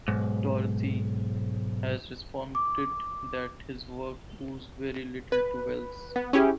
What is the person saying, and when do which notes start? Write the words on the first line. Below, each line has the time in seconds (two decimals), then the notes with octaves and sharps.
Doherty has responded that his work owes very little to Wells.
0.08 B1 G#2
2.55 D6
5.32 B4
6.16 B3
6.33 C#4 E4 G4 G#4